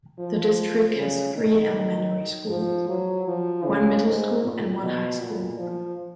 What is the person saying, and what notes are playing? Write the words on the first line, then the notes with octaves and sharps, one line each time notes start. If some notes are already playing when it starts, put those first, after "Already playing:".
The district has three elementary schools, one middle school and one high school.
F3
C#3
D#3
F3
F#3
F3
C#3
G#2
A#2
B2
A#2
F3